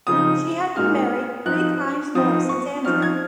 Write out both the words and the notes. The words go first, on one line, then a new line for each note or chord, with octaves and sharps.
She had been married three times more since Andrew.
C#3 F3 C4 D#4 D#6
A#2 G#3 D#4 F6
F3 C4 D#4 F#6
F3 C4 D#4 D#6
C#6
F3 C4 D#4 F6
G#6